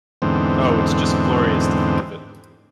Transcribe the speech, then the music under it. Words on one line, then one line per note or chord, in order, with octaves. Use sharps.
Oh, it’s just glorious to think of it.
E2 G#2 D3 C4